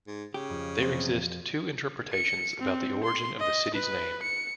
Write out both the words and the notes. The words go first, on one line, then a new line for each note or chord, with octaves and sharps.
There exist two interpretations about the origin of the city's name.
G#2
C#3 G4
F2
E2 C3
C#7
C4
C6
D#5
B4
C#7